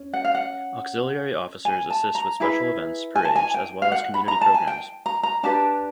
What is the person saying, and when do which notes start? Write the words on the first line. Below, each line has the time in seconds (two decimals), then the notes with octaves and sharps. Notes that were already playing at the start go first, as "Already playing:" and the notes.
Auxiliary Officers assist with special events, parades, as well as community programs.
Already playing: C#4
0.13 F#5
0.25 F5
0.35 F#5
1.65 G#5
1.90 A5
2.15 A#5
2.40 E4 G#4 B4
3.16 G#5
3.25 A5
3.36 G#5
3.54 G5
3.82 F5
3.92 F#5
4.14 B5
4.28 A#5
4.41 A5
4.54 G#5
4.67 G5
5.06 A#5
5.23 A#5
5.43 D4 G4 B4 A5